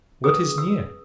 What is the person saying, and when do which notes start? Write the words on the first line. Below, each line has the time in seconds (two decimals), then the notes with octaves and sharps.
What is near?
0.24 C#4 G#4 B4 D#6
0.58 E6